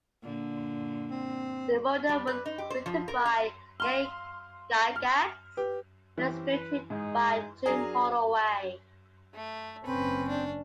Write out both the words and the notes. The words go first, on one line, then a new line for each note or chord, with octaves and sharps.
The module was written by Gary Gygax and illustrated by Jim Holloway.
A#2 D3
C4
G3
B4
D#4
G4
C5
F3
A#4
F5
F5 C6 F6 G7
F6
G4 B4
E3 C4 C#4 G4
B4
G#2 D#4 G#4
F#3 D4 G#4 A#4 G#5 A#5
A3
F#1 C4 C#4 B4
D4